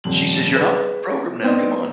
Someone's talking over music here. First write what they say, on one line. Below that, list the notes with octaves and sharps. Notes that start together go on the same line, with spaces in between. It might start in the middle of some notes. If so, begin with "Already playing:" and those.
She says, "You're not programmed now, come on.
D#1 F2 F#7
G#4 B4
B3 C4 D4 D#4